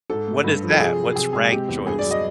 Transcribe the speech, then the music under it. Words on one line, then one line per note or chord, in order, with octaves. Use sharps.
What is that? What's "rank choice"?
G#2 A4
A3
G2
F3
A4
C3 G#4
F#3
C3 G#4
G#3 G#4
C3 G4
E2
G2 G#4
D5
F#3
D#5